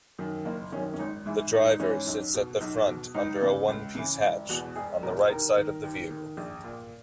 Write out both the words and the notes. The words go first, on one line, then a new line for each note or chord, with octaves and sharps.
The driver sits at the front under a one-piece hatch on the right side of the vehicle.
F#2 D#3
F#1 A#3
F#2 D#3 C#4
C#4
G#1 D#4
G#2 E3 E4
G#1 D#4
D#4
G#2 E3 C#4
B1
B2
B1
B2
C#2 D#4
C#3 E3
C#2
C#3 E3
E1 E4
E2 B2 F#4
E1 G#4
E2 B2 A#4
D#2 A#4
D#3
D#2
D#3
A#1
A#2